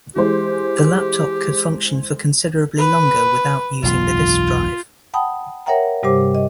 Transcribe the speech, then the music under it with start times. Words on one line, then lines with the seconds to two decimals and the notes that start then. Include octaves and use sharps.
The laptop could function for considerably longer without using the disk drive.
0.16 E3 G#3 G4 C5
2.78 B4
3.83 E1 B1 F#2 F4
5.14 F#5 G5 A5 B5 D#6
5.66 A#4 C#5 E5 F#5 G5 A#5
6.03 G2 C3 G3 G4 C5 D6
6.35 D#5